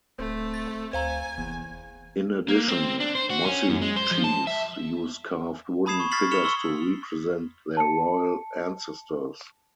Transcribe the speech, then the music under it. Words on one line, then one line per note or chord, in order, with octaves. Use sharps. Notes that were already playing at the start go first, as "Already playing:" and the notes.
In addition, Mossi chiefs use carved wooden figures to represent their royal ancestors.
D1 A3 C4
A6
D2 C5 F5 G#5 A#5
F1 E2
A#3
C4
D4
C5
F#4
C#4
F#2
G#3
C5
F3
A5
E5
A5 B5 D#6 G#6 C7 E7
C#6
F6 G#6 A6 B6 C7 F#7
F6 B6 C#7 E7 F7 G7
C6 C#6 E6 F#7
A5 C#7